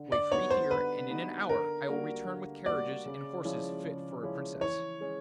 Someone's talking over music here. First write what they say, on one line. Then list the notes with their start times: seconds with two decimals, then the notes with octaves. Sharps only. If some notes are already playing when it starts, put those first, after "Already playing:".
Wait for me here, and in an hour I will return with carriages and horses fit for a princess.'
Already playing: D3
0.12 D5
0.32 G3 B3 D#4 F#4 C#5
0.50 C5
0.71 D3 B4
1.09 G3 B3 D#4 F#4
1.49 D3 A#4
1.88 G3 A#3 D4 F#4
2.26 D3
2.65 G3 A#3 D4 F#4 D5
3.06 C#3
3.45 F3 G#3 C#4 E4
3.84 C#3
4.23 F3 G#3 C#4 E4
4.61 E3 C#5
5.01 G#3 C#4